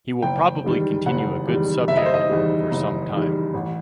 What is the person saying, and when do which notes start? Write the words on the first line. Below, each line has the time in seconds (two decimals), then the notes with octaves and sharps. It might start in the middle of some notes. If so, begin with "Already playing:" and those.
He will probably continue a good subject for some time.
0.22 F#1 G5
0.64 E2 D#3 G3
1.06 F#1 F#5
1.47 E2 D#3 G3
1.88 F#1 E5
1.97 D#5
2.06 C5
2.14 D#5
2.29 E2 D#3 G3
2.71 F#1
3.13 E2 D#3 G3
3.54 A1